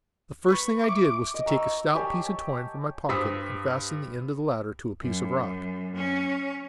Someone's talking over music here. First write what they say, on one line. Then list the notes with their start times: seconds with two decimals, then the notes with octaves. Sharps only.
The first thing I did was to take a stout piece of twine from my pocket and fasten the end of the ladder to a piece of rock.
0.48 B4 B5 C#6
0.84 E4 C#6 D6
1.34 D#5
1.46 A#5 C#6 E6
1.95 G4 C#5 G#5 A5
3.09 G2 C5 D#6 E6 B6
5.02 F#2
5.95 C#4